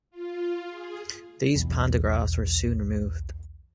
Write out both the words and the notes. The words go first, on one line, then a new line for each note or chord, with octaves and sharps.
These pantographs were soon removed.
F4
G#4
B1 E2